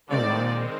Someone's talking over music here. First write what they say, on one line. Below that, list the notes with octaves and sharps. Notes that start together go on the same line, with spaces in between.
Oh, wow.
D#3 G#3 C4 D5